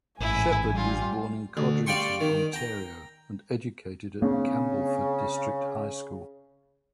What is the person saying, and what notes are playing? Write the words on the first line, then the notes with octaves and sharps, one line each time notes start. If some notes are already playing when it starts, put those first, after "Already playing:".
Sheppard was born in Codrington, Ontario, and educated at Campbellford District High School.
A1 G#2 E4 G#5
G3 F4
D2
G3 D5 F5 G5 C6 C#6
D#3
G5 A#5
C#3 A#3 C4 D4